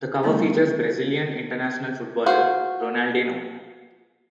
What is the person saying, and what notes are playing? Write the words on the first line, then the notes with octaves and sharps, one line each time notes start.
The cover features Brazilian international footballer Ronaldinho.
G3 A3 B3 D4 E4
F4 F#4 C5